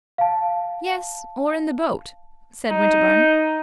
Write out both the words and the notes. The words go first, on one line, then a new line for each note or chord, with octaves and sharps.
"Yes, or in the boat," said Winterbourne.
F5 A5
D#4